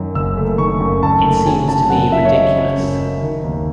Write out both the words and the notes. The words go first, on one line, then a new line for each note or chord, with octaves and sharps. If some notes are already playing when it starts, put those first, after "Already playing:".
It seems to me ridiculous.
Already playing: F#2 D#3
F#1 E6
A3
D#3 C#6
F#2
F#1 A5
A3
F#3 G#5
C#3 A5
F#2 F#5
F#2 E5
C#5
F#3 D#5
C#3
F#2
F#2
D#3
D#2